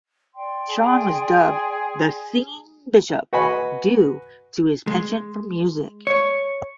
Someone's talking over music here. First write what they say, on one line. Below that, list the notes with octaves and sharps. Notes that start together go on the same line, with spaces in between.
Chan was dubbed "The Singing Bishop" due to his penchant for music.
D5 G5 C6
G#4
F#4 B4 D#5 G#5 B5
G#3
C#5